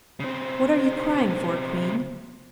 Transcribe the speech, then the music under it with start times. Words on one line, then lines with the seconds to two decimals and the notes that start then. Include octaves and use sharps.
"What are you crying for, queen?"
0.20 C#3 C4